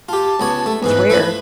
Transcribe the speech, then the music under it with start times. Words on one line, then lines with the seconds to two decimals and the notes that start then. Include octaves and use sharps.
It's rare.
0.09 F4 G4 A5
0.40 C#2 B3 C#5
0.66 A3
0.83 E2 G#2 E3 B4
1.10 F3 A3 E4